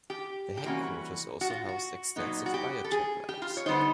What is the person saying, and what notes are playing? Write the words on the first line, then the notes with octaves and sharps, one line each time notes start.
The headquarters also housed extensive biotech labs.
G4
G4
C3 E3 G3 A#3 C#4 F#4
F#4
F4
F#4
A#2 F#3 B3 D#4
F#4
G4
A4
G#4
G4
F4
C#5
D3 G3 B3 D#4 C5